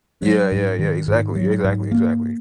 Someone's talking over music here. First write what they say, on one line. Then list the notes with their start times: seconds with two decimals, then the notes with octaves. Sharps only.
Yeah, yeah, yeah, exactly, exactly, exactly.
0.22 F#3
0.52 G#2
0.79 D#3
1.08 G#2
1.36 F#3
1.64 G#2
1.91 A#3